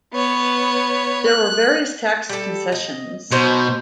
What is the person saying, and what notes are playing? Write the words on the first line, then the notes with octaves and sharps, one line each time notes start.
There were various tax concessions.
B3 C#5
F#6
G3 A4
D#5
B2 F#3 D#4 C5